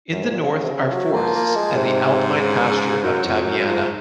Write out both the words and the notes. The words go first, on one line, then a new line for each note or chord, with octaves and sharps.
In the north are forests and the alpine pasture of Taveyanne.
F#2
G#2
A#2
C3
C#3
C3
C#3
F#3
F3 A#3
A#3
G#3
A#2
G#2 C3
C#3
C#3
F#2 F#3
F2
F#2
G#2 F3